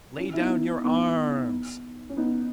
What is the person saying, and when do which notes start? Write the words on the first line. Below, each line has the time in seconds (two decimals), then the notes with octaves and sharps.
"Lay down your arms!"
0.17 C#4 E4
0.33 E4
0.39 B3 D#4
0.84 B3 D#4
2.10 C#4
2.17 B3 D#4